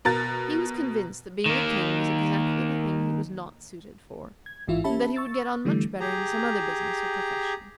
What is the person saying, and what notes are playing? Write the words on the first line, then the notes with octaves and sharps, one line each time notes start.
He was convinced that being a King was exactly the thing he was not suited for, and that he would get on much better in some other business or profession.
B2 A#4 A6
D#3 A#3
G#6
A1 G#2 E3 E4 F4
C#4 G4 E5 A5 B5
C#6 E6 A6
D3 E3 G3 A3
G4 G#4 A#5